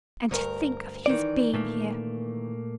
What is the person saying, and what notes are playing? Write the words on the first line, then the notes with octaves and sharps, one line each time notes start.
And to think of his being here!
D2 G2 A#4
D#3 E3 D5
A#2 A3 A#3